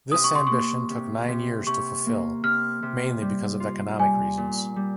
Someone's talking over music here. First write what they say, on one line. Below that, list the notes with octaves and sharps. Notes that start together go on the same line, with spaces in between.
This ambition took nine years to fulfill, mainly because of economic reasons.
C3 D#6
C#6
C6
A#3 C#6
C3
C3
C3 C#6
A#3
C3 F6
C3
G3
F4
G3 G#5
A#2
G3